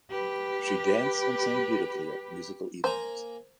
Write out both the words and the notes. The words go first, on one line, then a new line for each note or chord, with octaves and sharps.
She danced and sang beautifully at musical evenings.
G4 B4
A#3 C5 G#5 A#5